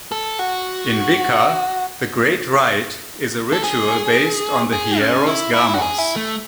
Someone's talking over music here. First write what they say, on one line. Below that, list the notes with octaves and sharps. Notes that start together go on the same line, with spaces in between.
In Wicca, the Great Rite is a ritual based on the Hieros Gamos.
A4
F#4
A4
G#4
G#4
C#4
E4
E4
F#4
G#4
E4
A3